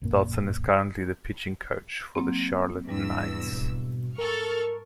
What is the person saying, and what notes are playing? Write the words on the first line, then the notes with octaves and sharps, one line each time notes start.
Dotson is currently the pitching coach for the Charlotte Knights.
A1 F#2 A#2 A#3
F#3 A#3 C4
E2 G#2 G3 D4 E6
B2
A4 A#4 C#6 F6